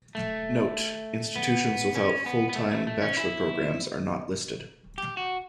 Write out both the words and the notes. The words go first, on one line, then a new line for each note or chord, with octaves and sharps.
Note: Institutions without full-time bachelor programs are not listed.
A3
B3
C#4
B3
B3
A3
A3
A3
C#4
E4
G4
F#4